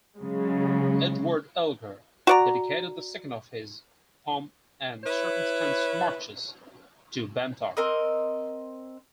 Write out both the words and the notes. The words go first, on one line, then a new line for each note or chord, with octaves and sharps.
Edward Elgar dedicated the second of his "Pomp and Circumstance Marches" to Bantock.
C#3 F#3 G#3
F#4 D5 A#5
E4 B4 C#5
C4 A#4 D#5